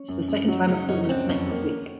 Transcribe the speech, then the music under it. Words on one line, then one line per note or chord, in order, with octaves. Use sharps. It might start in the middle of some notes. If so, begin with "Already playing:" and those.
This is the second time I have called him in a panic this week.
Already playing: C#4
F#2
F#2
F#3
C#3 C#4 D#4
F#2 C#4 D#4
C#4
F#2 C4 D4
F2 B3 C#4
A#3